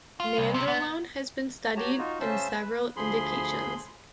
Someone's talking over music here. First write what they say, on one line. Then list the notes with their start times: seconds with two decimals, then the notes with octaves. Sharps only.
Nandrolone has been studied in several indications.
0.20 F4
0.37 C2
0.54 C3
0.68 B3
1.76 F#4 G4 C#5 A5 A#5
1.98 D#4 F4 F#4
2.20 C#3 C#4 C5 E5 A5 E6
2.53 B4
2.96 D2 F3 G#4 B5 C6